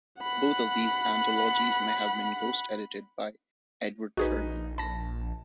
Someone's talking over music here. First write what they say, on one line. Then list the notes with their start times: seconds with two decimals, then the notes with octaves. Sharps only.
Both of these anthologies may have been ghost-edited by Edward Ferman.
0.22 F#5 B5
4.17 A#1 D#4 F#4 G#4 B4
4.78 A5 B5 A#6